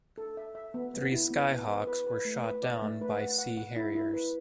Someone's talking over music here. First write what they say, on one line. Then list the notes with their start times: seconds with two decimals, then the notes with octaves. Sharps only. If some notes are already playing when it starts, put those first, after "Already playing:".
Three Skyhawks were shot down by Sea Harriers.
0.18 A4
0.37 E5
0.55 E5
0.74 B3
0.94 B3
1.12 E4
1.30 B3
1.50 B3
1.68 B4
1.87 B4
2.07 B4
2.25 A3
2.44 B4
2.63 D5
2.82 A3
3.01 B4
3.20 F#5
3.38 F#5
3.57 F#5
3.76 E4
3.95 E4
4.14 B4